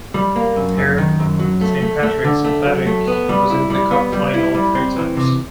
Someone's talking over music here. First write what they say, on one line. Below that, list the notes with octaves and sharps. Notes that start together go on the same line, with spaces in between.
Compared, St Patrick's Athletic was in the cup final three times.
G3
A#3
F#2
F#2
D#3
F#2
F#3
A3
A3
A3
D3
A3
F#3
A3
B3
G3
E4
G3
B3
G3
E4
G3
C4
E3
C3